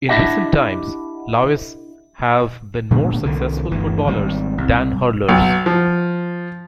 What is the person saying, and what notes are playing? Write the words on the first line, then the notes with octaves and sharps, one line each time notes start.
In recent times Laois have been more successful footballers than hurlers.
D4 E4 G4 D#5 E5 F#5
A#2 D3 G#3 B3
C2 D3 D#3
G1 D2 E3
G#1 G3
C2
B1
F3